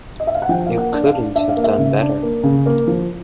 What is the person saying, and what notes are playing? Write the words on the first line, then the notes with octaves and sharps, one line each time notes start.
You couldn't have done better.
D#5
E5
F5
F#5
F3 G5
A#3 F5
F#5
D4
F5
D4
D4 E5
F5
A#3
E5
C#3
D4
A#3
C#3
A#3
F3